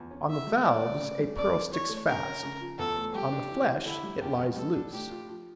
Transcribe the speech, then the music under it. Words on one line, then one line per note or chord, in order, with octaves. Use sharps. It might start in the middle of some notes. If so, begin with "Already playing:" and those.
On the valves a pearl sticks fast; on the flesh it lies loose.
Already playing: E2 F3
C#4
E3 E5
G3
A2 D5
A2
C#3
G3
F2 D5
A#3
E3 C#5
A3
C#3 A#4
C#4
C#3
F3
E2 A4
A3
G3 G4
D4
E3
E3
D3 E4
G3
E2 G4
E2
G3 A4
D4
A2 G4
F4
F3